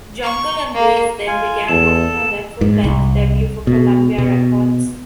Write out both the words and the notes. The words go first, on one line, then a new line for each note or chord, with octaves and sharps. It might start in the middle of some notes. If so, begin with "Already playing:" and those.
Jungle and Wiz then began working on their full-length debut for Columbia Records.
C#6
A#3
F4 G#5
E2 A4 E7
G#2
C2
B2
B2